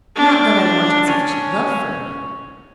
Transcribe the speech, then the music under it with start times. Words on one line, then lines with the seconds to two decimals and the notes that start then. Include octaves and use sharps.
Not that I wanted sufficient love for Amelia.
0.16 D4
1.08 C#4